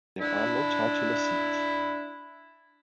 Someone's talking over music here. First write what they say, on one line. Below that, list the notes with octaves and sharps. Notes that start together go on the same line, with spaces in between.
There are no titular sees.
D4 E4